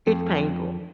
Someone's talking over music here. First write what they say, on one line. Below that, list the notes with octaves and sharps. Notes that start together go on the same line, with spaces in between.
it's painful.
F2